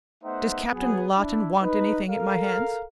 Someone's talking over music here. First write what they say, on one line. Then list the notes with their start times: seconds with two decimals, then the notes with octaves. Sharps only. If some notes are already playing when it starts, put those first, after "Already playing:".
"Does Captain Lawton want anything at my hands?"
0.24 A3 B3 D#4 C5 E5 F#5
0.71 F#3 B3 G#4
1.17 D4 E4
1.61 D#4 B4
2.08 A4 A#4 F5